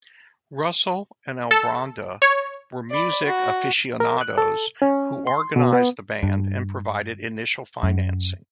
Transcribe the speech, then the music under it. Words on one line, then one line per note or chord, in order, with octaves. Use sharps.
Russell and Albronda were music aficionados who organized the band and provided initial financing.
A4
C#5
D5 B5
F#4
A#4
F#6
A4
C#4
C6
B2
B3
G2
F#2